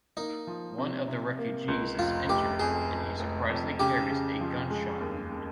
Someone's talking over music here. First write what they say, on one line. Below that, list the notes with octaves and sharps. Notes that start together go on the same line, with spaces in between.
One of the refugees is injured and he surprisingly carries a gunshot wound.
A#3 D#4
F3
C3
C3
A#3
C#2
F1 F4
F1 G4
F2 G#4
F2
F1
F2
C#3 G4
C#3
F3
G#3
D#2
G#3